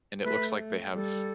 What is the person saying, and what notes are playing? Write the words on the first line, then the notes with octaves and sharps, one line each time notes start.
and it looks like they have
A3 B4
G3 A4